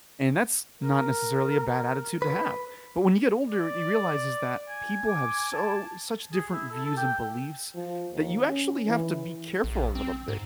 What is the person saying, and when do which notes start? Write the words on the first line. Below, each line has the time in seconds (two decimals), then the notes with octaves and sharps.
And that's not necessarily a bad attitude to have. But when you get older, you realize is that people have so such different views and beliefs, that you actually have to be careful a little bit,
0.81 A#4
2.22 B4
3.48 D5
4.69 G#5
5.09 D6
5.53 A5
6.34 G#4
6.53 E4
6.71 A4
6.85 A4
6.97 G5
7.75 F3
8.11 D#2
8.47 C#4
8.88 E3
9.64 A#1
9.95 C4
10.28 G#2